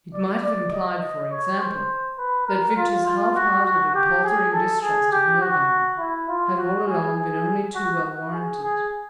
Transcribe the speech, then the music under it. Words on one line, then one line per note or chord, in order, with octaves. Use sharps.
It might have implied, for example, that Victor's half-hearted and paltering distrust of Nogam had all along been only too well warranted.
D5
D5
D#5
D#5
C#5
C5
B4
A#4
F4
F4
F#4
F#4
G4
G#4
A4
G#4
G4
F#4
E4
F4
F#4
G#4
G#4
F#4
F#4
G#4
G#4